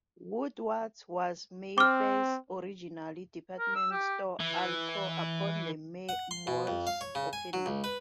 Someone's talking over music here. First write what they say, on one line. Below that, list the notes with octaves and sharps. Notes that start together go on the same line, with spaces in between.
Woodward's was Mayfair's original department store anchor upon the mall's opening.
C4 D6 F6
A#4
E6
G4
E3
F#5
C6
B2
F2
F5
C#5
C#3
G#5
F#3
C#2
B4